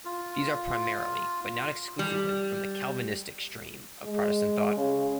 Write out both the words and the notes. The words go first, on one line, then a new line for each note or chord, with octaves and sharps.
These are primarily, but not exclusively, from the Calvinistic stream of Protestant thought.
F4
G3
G#3
C#3